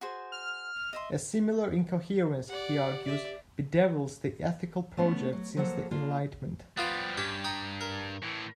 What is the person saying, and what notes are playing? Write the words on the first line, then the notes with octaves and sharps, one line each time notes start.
A similar incoherence, he argues, bedevils the ethical project since the Enlightenment.
F#4 G#4 C5
F6
D#5 E5 C6
G4 D5 F#5
D5 E5
A3 B3 C#4
F#3
F3 F#3 A#3 A4 F#5
A#3 D4 F4
F3 G3 B3 F4 F5
G2 C#4 G4 A5
G5 A#5 D#6
A#4
A2 E3